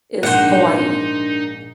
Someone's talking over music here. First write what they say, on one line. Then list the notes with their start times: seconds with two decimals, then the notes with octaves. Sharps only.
is Hawaii,
0.23 A#1 G#2 D4 D#4 A#4 C5 D#5 F#5